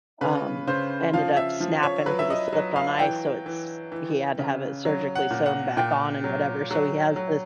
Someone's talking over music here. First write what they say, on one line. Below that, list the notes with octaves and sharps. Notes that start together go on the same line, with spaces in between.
um, ended up snapping, 'cause he slipped on ice, so it's he had to have it surgically sewn back on and whatever, so he has this
C#3 B4
C#3 C5
F3 F5
E5
F3
C#5
F#3 B4
E5
D#5
F#3
F5
E3 G5
E3
E3
C#3
F#3
F#5
A#2
F#5
A#2 G5
F#3
F#3
F#3